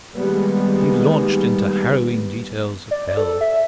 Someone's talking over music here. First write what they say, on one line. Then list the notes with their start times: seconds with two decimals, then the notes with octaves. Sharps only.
He launched into harrowing details of hell.
0.16 D#3 G3 G#3 A#3 B3
2.91 D5
3.17 A4
3.41 E5